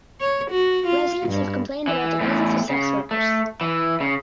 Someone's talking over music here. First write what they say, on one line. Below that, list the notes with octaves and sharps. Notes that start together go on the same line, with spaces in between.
Residents have complained about the presence of sex workers.
C#5
F#4
F4
G2
E3
E2 A2
C#3
A3
E3
C#3